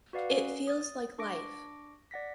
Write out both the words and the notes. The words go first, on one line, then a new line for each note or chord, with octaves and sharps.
It feels like life.
F#4 B4 D5 F5 F#5
C#4
D#6 A6
D4 C#6 D6 A#6 D7
D5 F#5 A#6 B6